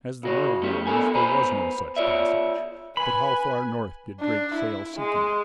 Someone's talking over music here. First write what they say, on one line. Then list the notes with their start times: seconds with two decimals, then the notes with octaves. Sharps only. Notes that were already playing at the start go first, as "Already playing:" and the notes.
As the world knows, there was no such passage; but how far north did Drake sail seeking it?
0.23 C#3 F#4 C#5
0.62 B1 A3 C#4 G4
0.87 G#2 D3 B3 A4 A#4 G#5
1.15 B3 B4 C5 G#5 A#5 B5
1.96 F4 C#5 D5 E5
2.97 B4 G#5 B5
4.20 D4
4.54 E4
4.97 G#3